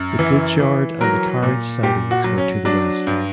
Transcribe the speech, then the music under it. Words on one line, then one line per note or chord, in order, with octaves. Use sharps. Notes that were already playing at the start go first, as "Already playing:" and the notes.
The goods yard and the carriage sidings were to the west.
Already playing: F#2
E3
E3
F#3 A#4
A#2
A#2 G4
F#4
F#3
C#4
F#3 D4
G2